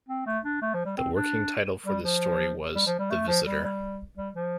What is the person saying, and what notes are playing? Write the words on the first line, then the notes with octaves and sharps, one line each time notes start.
The working title for this story was "The Visitor".
C4
A3
D4
A3
F3
G3
C4
D4
G3
F3
G3
F3
G3
A3
F3
G3
G3
G3
F3